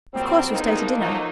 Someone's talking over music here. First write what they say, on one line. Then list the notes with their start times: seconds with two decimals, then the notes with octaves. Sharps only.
"Of course you'll stay to dinner?"
0.14 A#2 F#3 G3 C4
0.51 E2 G2 D3 D#3 A#3 D#4
1.00 F3 F#3 A3 A#3 D#4